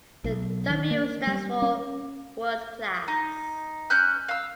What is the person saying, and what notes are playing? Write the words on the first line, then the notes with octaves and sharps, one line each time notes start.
The 'W' stands for 'World Class.
B1
D#3
A#3
G3
C#4
D#4
C#4 F#6 G6
F5 E6